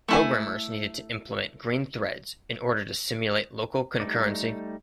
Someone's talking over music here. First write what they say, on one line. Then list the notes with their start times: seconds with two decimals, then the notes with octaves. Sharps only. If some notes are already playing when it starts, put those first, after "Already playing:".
Programmers needed to implement green threads in order to simulate local concurrency.
0.08 A3 E4 G#5
4.00 G3 A3 D#4 D5